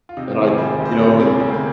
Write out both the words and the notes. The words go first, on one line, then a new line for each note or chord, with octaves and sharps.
and I you know, and
F4
C3 D#4
F4
D#3
G#4
G3 C5
C5
D2
C5
C3 D5
G#4
G3 C4
A#3
D2 C4
C4